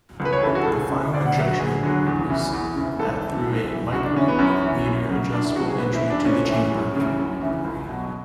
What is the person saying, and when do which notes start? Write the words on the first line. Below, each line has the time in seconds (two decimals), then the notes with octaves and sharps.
The final injection was at through a micrometer-adjustable entry to the chamber.
0.20 C#2
0.25 B4
0.33 C#5
0.43 C#3 E3 A4
0.55 F#4
0.63 A4
0.67 C#2 G#4
0.90 C#3 E3
1.13 D2 D5
1.26 F#5
1.37 D3 F#3 E5
1.48 F#4
1.59 D2 G#4
1.83 D3 F#3
2.06 E2
2.30 C#3 E3
2.53 E2
2.76 C#3 E3
2.99 G#2 A4
3.23 E3
3.47 G#2
3.70 E3
3.92 F#2 F#4
4.05 D4
4.16 E3 C#4
4.28 B3
4.39 F#2 C#4
4.63 E3
4.86 F#2
5.10 C#3 F#3
5.32 F#2 D4
5.44 E4
5.56 C#3 F#3 F#4
5.67 G#4
5.78 G#2 B4
5.95 E4
6.03 E3
6.10 D4
6.25 G#2 C#4
6.49 E3
6.72 F#2
6.96 C#3 E3
7.19 F#2
7.41 C#3 E3
7.65 C#2
7.89 B2 F#3